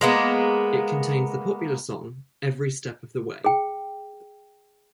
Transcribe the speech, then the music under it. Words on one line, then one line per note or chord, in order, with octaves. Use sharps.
It contains the popular song "Every Step of the Way".
G#3 A#3 B3
G#4 G5